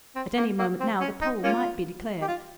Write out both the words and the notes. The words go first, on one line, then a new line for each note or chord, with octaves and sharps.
At any moment now the poll might be declared.
C4
A#3
A#3
C4
C#4
D#4
A#3 C#4 F4
G4
F4